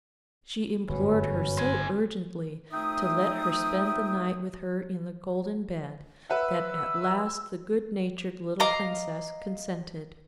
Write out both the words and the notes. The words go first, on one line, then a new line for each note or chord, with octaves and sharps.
She implored her so urgently to let her spend the night with her in the golden bed, that at last the good-natured little Princess consented.
G1 F#2 A2 F#3 C#4 F#4 B4
C5 G#5
F2 A3 D#4 E5 G5 D#6
B4 E5 F#5 E6
D#5 F5 A#5 D6